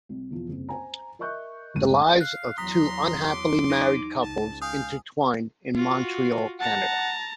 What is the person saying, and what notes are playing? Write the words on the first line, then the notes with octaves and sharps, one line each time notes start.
The lives of two unhappily married couples intertwine in Montreal, Canada.
C2
E2 B2 F3
F#1 C2
C5 G#5 A#5
A#4 D#5 E5 C#6 F#6 G6
F#1 C2 F#2 A2 G#3 D#7
F5 F#6
E2 F#3 A#5 C6 D#6 B6
D6
D#4
C#2 A5
F5 G5 G#5 D#6
F4 F#4
F#5 A5 A#5